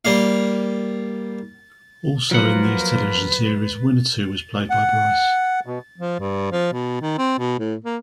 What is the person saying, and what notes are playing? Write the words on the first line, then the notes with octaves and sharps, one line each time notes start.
Also in these television series, Winnetou was played by Brice.
G3 A#3 F5
F3 F#3 A#3 F4 A#4 B4 F#5
F#5
B2
F3
G2
F3
B2
D#3
C4
B2
A2
A#3